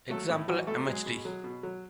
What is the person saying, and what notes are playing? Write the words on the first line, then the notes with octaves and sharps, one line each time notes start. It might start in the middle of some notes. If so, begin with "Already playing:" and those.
Example mhd.
F#3 A3 A4
A2 E4
E3 F#3 F#4
B2 A3 A4
F#3 G#3 G#4
B2
F#3
B2
F#3